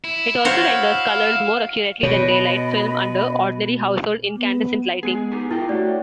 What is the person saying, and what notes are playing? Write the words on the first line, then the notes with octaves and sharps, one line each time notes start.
It also renders colors more accurately than daylight film under ordinary household incandescent lighting.
E4
F#4 C5 C#5 F5
B2 C#5 D#5 B5
B3
G#3 B3 G#4
D#4 G4 G#4
E4 F4 A#4 G5
A3 D4 F#4 G4 C#5 D5